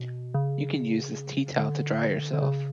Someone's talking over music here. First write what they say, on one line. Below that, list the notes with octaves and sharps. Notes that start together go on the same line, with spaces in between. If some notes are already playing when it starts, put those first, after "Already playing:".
You can use this teatowel to dry yourself.
Already playing: B2
C#3
D3
D3
C#3